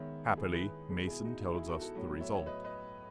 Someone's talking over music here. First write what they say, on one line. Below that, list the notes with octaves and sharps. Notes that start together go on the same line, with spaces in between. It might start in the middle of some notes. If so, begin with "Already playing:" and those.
Happily, Mason tells us the result.
Already playing: D#3 G#3 B3 C#5 E5
E4 G#4
G#4 B4
B2 G#3 B3
E4 G#4
D#4 F#4
E4
E4 G#4
F#4 A4
F#4 A4
A2 F#3 B3
C#5 E5
C#5
B4 D#5
B4 D#5